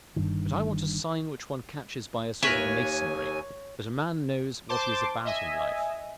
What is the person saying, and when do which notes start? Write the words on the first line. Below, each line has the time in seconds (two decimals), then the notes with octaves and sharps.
But I want a sign which one catches by a sort of masonry, that a man knows what he is about in life.
0.16 G1 G2 D#3
2.43 D#2 A#4 B4 C#5 E5 G#5
4.69 C5 A5 C6 D6
5.25 D#5 E5 G#5